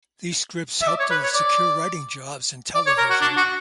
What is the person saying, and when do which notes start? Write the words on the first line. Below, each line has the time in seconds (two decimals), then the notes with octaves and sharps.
These scripts helped her secure writing jobs in television.
0.82 E5
0.88 D5
1.00 C#5
1.10 B4
1.23 C#5
1.34 D5
2.75 D5
2.86 C#5
2.98 A#4
3.10 F#4
3.21 D4
3.37 F#4